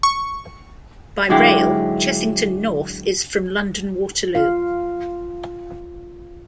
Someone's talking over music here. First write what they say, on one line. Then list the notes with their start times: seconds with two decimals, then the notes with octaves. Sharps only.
By rail, Chessington North is from London Waterloo.
0.03 C#6
1.29 G#2 D3 F#3 G#3 E4 G4
4.35 F4 F5